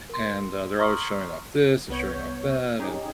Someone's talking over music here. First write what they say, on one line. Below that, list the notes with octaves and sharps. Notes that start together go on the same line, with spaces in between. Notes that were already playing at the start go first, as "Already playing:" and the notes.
and, uh, they're always showing off this and showing off that and-
A#4 C6
A#5 C6 C#6 D#6 F6
C2 B3 C#5 G6
C#4 D#4 G4 G#4